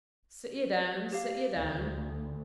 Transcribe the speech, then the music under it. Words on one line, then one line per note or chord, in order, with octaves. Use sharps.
'Sit ye down, sit ye down.
G4 F5
D2